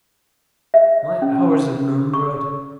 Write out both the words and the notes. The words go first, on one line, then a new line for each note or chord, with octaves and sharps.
My hours are numbered.
E5
C#4
C#6